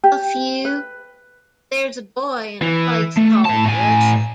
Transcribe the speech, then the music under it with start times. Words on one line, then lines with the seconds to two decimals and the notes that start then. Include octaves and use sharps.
A few...There's a boy in a place called Russia.
0.04 G4
0.65 B4
2.62 E3
3.17 A3
3.45 A2 A5
3.66 A2 G#5